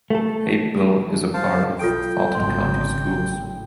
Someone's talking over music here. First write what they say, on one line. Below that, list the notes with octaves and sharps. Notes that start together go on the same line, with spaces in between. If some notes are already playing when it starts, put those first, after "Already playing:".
Hapeville is a part of Fulton County Schools.
A3 A4
C5 F5 A5
B1 F4 A4 G5 D7
G#1 C#3 C6
A2